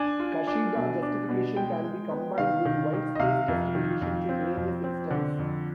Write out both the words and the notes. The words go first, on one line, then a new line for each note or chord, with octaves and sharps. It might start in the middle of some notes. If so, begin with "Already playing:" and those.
Kashida justification can be combined with white-space justification to various extents.
Already playing: D4 G#5
F4
D4
B2
D4
B2
G#3 G5
G#3
B3
D#3 F5
D#3
D#3
D#5
C3 F5
F2
D#3
F2
C4
F2
C4
D3
F2